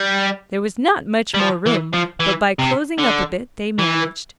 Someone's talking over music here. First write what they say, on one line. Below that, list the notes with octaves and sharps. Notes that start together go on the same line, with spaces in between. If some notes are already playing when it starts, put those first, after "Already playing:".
There was not much more room, but by closing up a bit they managed....
Already playing: G3
G3
F3
E3
F3
E3
C3
D3
E3